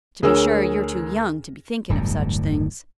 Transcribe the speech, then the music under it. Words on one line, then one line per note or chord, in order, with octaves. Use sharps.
To be sure, you're too young to be thinking of such things.
D2 G#4 A#4 C#5 E6
D1 G1 E2